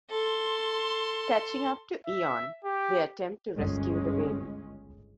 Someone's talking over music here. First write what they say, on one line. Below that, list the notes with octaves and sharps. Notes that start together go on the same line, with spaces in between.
Catching up to Eon, they attempt to rescue the baby.
A4 C6
E5
G4
G1 C#2 G#3 C#4